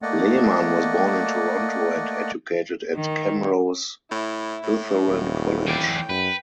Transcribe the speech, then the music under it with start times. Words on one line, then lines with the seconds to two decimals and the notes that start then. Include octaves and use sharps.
Lehmann was born in Toronto and educated at Camrose Lutheran College.
0.02 A3 A#3 D5 D#5 F#5
2.95 D#3
4.11 A2 E4
4.63 A2
5.07 D#1
5.67 E3 D5 G5
6.09 F#2 B4